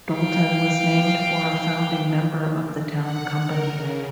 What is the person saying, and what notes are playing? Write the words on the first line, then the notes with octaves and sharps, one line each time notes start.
Dolton was named for a founding member of the town company.
F5 G5
F#5
A#4
C#3